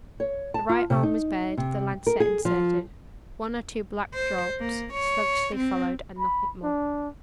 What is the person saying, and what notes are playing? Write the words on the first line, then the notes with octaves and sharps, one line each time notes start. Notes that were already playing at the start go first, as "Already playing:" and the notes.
The right arm was bared; the lancet inserted, one or two black drops sluggishly followed and nothing more.
C#5
A5
F4
C3
D#4
C3
A#4
G#4
F3
C5
A#3
C#5
C4
B5
D4